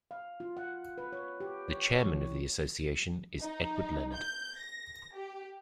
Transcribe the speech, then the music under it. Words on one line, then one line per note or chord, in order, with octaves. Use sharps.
The chairman of the association is Edward Lennard.
F5
F4
F#5
B4
C#5
G4
C#5
C#5
E3
D#4
G6
A#6
G4